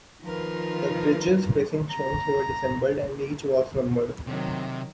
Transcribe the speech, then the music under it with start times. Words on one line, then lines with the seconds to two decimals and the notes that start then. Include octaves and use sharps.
The bridge's facing stones were disassembled, and each was numbered.
0.22 D#3 F3 D#4 F4 A#4 B4
1.90 A#5
4.27 C3 D#3 F#3